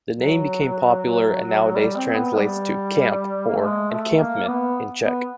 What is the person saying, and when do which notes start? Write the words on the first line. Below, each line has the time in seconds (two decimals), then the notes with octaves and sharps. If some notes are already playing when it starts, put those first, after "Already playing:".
The name became popular and nowadays translates to "camp" or "encampment" in Czech.
0.14 F#3
1.76 G3
1.96 C4
2.16 B3
2.37 G3
3.48 A#3
3.56 A3
3.65 G#3
3.92 A3
4.19 A#3
4.47 B3
5.01 B3